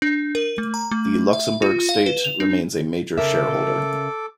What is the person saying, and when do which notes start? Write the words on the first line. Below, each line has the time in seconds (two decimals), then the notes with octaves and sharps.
The Luxembourg State remains a major shareholder.
0.02 D4
0.35 A#4
0.58 A3
0.74 A#5
0.91 A3
1.33 E5
1.62 F4
1.89 F5
2.06 B4
2.24 F7
2.40 D4
3.18 C#3 A4 A#4 E5 D6